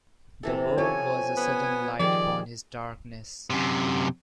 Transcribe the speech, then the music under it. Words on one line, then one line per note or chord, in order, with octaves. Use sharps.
The word was a sudden light upon his darkness.
C3 E3 A4
F3 G4 A4 C#5 G#5
B3
D#3 F3 G3 G#4 D5
F#2 C3